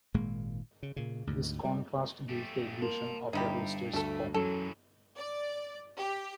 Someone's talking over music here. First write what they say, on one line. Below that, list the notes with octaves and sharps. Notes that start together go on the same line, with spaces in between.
This contrast gives the illusion of a rooster's comb.
G#1 A#2 G#3 A#3
C#3
A#2 C#3
D2 G#2
G3
A3 G4
A#3 A5 C6
G1 G2 D#4 E4 G4
D2 A3 A4
F#2 E3 F#3 A4
D5
G4